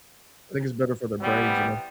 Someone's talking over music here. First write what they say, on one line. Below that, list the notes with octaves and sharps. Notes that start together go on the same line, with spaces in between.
I think it's better for their brains, you know?
C3 E3 G3 B3